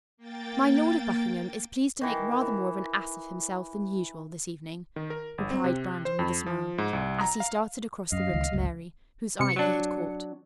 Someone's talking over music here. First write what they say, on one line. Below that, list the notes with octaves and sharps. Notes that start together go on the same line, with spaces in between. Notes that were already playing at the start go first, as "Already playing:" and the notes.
"My Lord of Buckingham is pleased to make rather more of an ass of himself than usual this evening," replied Brandon with a smile, as he started across the room to Mary, whose eye he had caught.
A#3 G5 A6
D#3 E3
E3
D#3
A#4
G1
C4
C3
C5
F2
F3
G#2
C2
A#5
F5
F#2 D#5 F5
C#2 D#3
G1 C#2
C3 C#7
F#3 D4